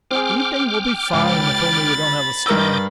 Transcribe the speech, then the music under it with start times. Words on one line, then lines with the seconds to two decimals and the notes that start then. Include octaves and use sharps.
The evening will be fine, if only we don't have a storm.
0.11 C4 G#4 G5 D6 F6
1.13 C#2 B5 A6
2.46 G2 A#4 D#5 D6 E6 G6